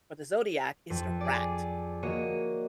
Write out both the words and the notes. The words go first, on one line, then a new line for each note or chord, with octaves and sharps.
for the zodiac is the rat.
F2
G#4 D5
A#3 F#4 C#5 D#5